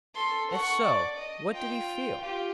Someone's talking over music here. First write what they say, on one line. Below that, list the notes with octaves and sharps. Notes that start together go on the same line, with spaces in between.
If so, what did he feel?
A4 C6
F#5 C#6
D5
D#5
F4 G5
F4 G4